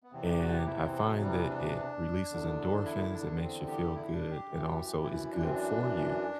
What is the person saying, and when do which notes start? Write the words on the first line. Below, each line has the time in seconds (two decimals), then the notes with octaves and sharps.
and I find that it releases endorphins, it makes you feel good, and also is good for you
0.03 B3
0.12 E2 C3 E3 C4
0.26 G4
0.39 F#4
0.53 G4
0.66 E4
0.85 C4
1.04 F#3
1.21 G3
1.49 D4
2.30 E2 D3
2.85 E4
3.13 D4
3.40 C4
3.67 G4
3.95 E4
4.13 D4
4.31 G4
4.49 F#2 E3
5.03 E4
5.31 D4
5.42 C4
5.54 D4